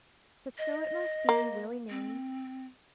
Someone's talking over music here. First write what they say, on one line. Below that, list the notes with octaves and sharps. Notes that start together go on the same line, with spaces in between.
But so it must be, willy-nilly.
D#5
A#3
C4